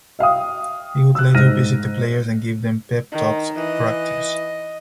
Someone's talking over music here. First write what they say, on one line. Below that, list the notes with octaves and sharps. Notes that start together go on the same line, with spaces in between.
He would later visit the players and give them "pep" talks at practice.
E5 F5 G5 D#6
E6 F#6
G#2 F6 A#6 D#7
D#3
E3 D#5